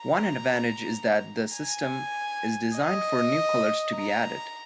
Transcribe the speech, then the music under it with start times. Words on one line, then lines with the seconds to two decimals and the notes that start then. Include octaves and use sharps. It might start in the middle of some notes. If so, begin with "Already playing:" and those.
One advantage is that the system is designed for new colors to be added.
Already playing: A#5
1.55 G#5
2.76 D#5
3.97 A#5